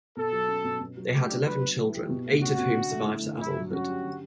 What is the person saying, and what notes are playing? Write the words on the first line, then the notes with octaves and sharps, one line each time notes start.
They had eleven children, eight of whom survived to adulthood.
B2 A4
F#3
C#4
B2
B2
F#3
A3 G4
D4
F#3 B4
B3
E4
G4
B2
A3
C#4 F#4
B2
D3
A3
E4
D3
G2 E4
F#3
C#4 F#4
G4
D3